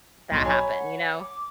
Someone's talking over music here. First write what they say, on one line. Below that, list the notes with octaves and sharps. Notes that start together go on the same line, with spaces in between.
that happen, you know?
B1 C6
C#5 G#5 A#5 B5
F#5
D6